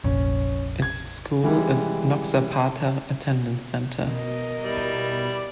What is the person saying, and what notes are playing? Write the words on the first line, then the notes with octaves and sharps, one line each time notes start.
Its school is Noxapater Attendance Center.
F1 A#1 C#4
G#6
E3 G3 G#3
B2 A#4 D#5
G3 E4 D5